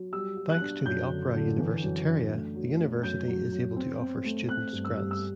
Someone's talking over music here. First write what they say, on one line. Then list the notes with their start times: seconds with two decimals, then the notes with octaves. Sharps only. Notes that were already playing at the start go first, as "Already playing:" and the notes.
Thanks to the Opera Universitaria, the University is able to offer students grants.
Already playing: F#3
0.13 G3 E6
0.37 G3
0.49 F#6
0.61 D4
0.85 F#2 G6
1.10 D3
1.34 D3
1.58 E3
1.82 F#2
2.07 D4
2.31 A3
2.55 F#3
2.79 A3
3.03 F#2 G6
3.28 F#3
3.52 F#3
3.76 C4
4.00 C4
4.24 A3
4.49 C4 F#6
4.73 G2
4.85 E6
4.97 G3
5.11 E6